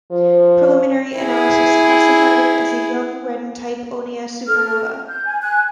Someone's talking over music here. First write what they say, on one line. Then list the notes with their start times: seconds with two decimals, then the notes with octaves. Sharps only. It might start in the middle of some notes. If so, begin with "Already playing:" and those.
Preliminary analysis classified it as "a young, reddened type onea supernova".
0.11 F3
1.19 E4 G#4
4.47 A4 F6
4.83 F6
5.08 G6
5.25 G#5
5.41 G#5 F#6